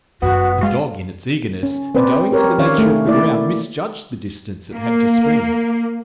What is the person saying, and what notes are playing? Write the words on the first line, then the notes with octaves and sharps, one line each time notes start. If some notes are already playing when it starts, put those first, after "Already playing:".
The dog in its eagerness, and owing to the nature of the ground, misjudged the distance it had to spring.
G1 F#2 B3 F#4
G#3 F#4 F5
C#4
C4 B4 C5 D5
G4 A#4 C#5
D#3 C#4 C#5 D5 F5
A3
A#3 E4 D5
A#3